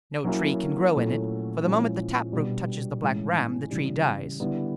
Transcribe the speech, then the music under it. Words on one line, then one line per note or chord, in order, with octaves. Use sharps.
No tree can grow in it, for the moment the taproot touches the Black Ram the tree dies.
F#3 A#3 C#4 E4
A#2 F#3 A3 C#4 E4
A#2 F3 G#3 C#4 E4
B2 G3 B3 D4
A2 E3 G#3 C#4
C#3 E3 G3
D3 G3 B3 E4